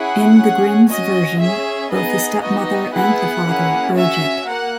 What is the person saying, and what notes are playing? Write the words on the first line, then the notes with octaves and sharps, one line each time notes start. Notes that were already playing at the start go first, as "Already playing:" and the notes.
In the Grimms' version, both the stepmother and the father urge it.
Already playing: C#4 E4 G#4 F#5
C#4 G#4
C#4 F#4 D#5
C#4 G#4 E5
B3 D#4 G#4 D#5
B3 D#4 F#4 D#5
B3 E4 G#4 F#5
A#3 C#4 E4 G#4
C#4 F#4 E5
A#3 F#5